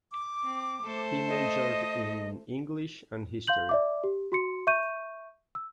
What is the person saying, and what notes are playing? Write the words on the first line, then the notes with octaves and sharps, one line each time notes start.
He majored in English and History.
D6
C4
A3 A4 C5
D#5
F5 C6 G6 F#7
D5 E5 D6
G4
F#4 C6 C#7
E5 C#6 G6 D#7
E6